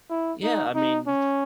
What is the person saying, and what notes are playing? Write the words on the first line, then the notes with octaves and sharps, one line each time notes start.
Yeah, I mean,
E4
D#4
D#4
C#4